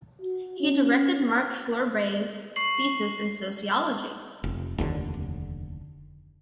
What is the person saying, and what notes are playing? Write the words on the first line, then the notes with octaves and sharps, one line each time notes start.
He directed Marc Fleurbaey’s thesis in Sociology.
F#4
C#4
C#6 C7 F#7
F1
F1 D#2 D3